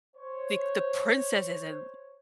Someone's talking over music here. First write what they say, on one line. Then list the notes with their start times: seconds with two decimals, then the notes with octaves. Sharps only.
the the princess is in
0.16 C5 C#5